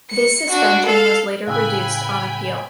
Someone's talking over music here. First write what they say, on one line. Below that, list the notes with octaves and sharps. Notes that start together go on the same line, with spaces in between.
This suspension was later reduced on appeal.
C#7
D4 F#4
A4 F5
A2 C#3 F5 G5 G#5 B5 E6 F#6